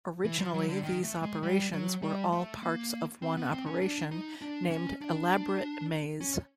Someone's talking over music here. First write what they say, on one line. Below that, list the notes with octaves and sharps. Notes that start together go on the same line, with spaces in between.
Originally, these operations were all parts of one operation named Elaborate Maze.
E3
F3
F#3
D3
D#3
A3
G#3
G3
F#3
G3
A3
A#3
C4
B3
C4
C#4
D4
D#4
D4
C#4
D4
C#4